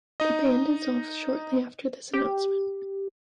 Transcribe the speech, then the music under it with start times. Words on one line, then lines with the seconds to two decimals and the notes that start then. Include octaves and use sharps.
The band dissolved shortly after this announcement.
0.20 D#4 D#5
2.13 G4